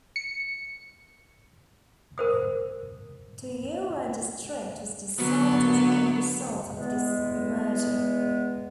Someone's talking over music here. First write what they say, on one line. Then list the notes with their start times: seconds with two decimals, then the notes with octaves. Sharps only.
Toyoura District was dissolved as a result of this merger.
0.16 C#7
2.18 A#4 C5 D#6
5.17 D3 F#3 B3
6.77 E2 G#3 B3